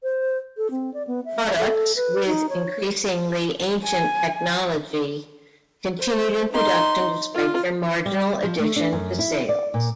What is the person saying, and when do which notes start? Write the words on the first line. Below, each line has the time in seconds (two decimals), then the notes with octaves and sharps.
Products with increasingly ancient technology continued in production despite their marginal addition to sales.
0.03 C5
0.57 A4
0.71 C4
0.94 D5
1.07 B3
1.25 E5
1.58 A4
1.96 B4
2.26 D#4
2.49 C#5
3.85 G#5
5.99 C5
6.52 D#4 C6
7.34 F4
8.06 G3
8.44 F3
8.59 A3
8.76 D4
8.93 F#2
9.19 E4
9.49 D5
9.74 A#2